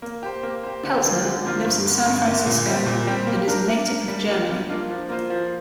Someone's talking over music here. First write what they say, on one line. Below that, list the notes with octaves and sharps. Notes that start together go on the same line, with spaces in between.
Peltner lives in San Francisco and is a native of Germany.
A#3
G4 C5
A#3
G4 C5
D3
F3 A#3 D4 F4
D3
F3 A#3 D4 F4
G2
D3 A#3
G2
D3 A#3
A#2
G3 C4 G4
A#2
G3 C4 G4
A#3
D4 A#4
A#3
D4 A#4
G3
A#3 D4 F4
G3
A#3 D4 F4
F3
A#3 F4 C5
F3